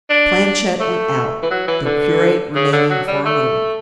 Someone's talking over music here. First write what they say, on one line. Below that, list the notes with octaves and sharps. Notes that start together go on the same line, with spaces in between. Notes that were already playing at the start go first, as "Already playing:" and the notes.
Planchet went out, the curate remaining for a moment.
D4
A3
E3
F#3
E3
D3
C#3
D3
F#3
G3
A3